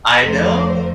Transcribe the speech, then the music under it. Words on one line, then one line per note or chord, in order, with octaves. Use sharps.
I know.
F2 D3 F3 A3 A#4 C5